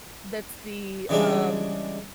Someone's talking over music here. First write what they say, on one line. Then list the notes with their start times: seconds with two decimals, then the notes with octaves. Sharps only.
that's the, um,
1.09 C#3 E3 G3 G#3 D4 E4